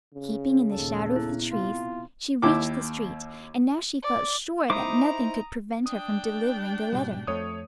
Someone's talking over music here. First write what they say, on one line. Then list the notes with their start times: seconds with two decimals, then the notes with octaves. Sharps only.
Keeping in the shadow of the trees she reached the street, and now she felt sure that nothing could prevent her from delivering the letter.
0.15 C#3
0.72 D#2 A#2 A4
1.12 B3 E4
1.52 C3 F4
2.42 D#2 E4 G5 D6
4.02 D5
4.70 D#4 E4 C5 A#5 D6 D#6
5.86 D4 G5 D#6
6.92 G#2 B2 G3
7.27 F2 A3 C#5 D#6